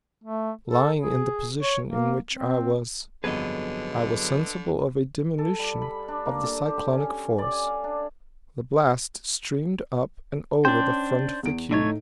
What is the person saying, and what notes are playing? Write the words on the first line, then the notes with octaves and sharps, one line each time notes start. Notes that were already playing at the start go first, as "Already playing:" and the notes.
Lying in the position in which I was, I was sensible of a diminution of the cyclonic force; the blast streamed up and over the front of the cube.
A3
A4
G#4
C#5
A#3
C4
G1 F2 D3 F#3 B3 G#4 B4 D#5
A4
G3
B5
D4
A#3
A4
G4
C#4
D5
G#5
F5
D4
C#4 D4 C5 G5
E2 D7
A2 D3 A3 D#4 C#5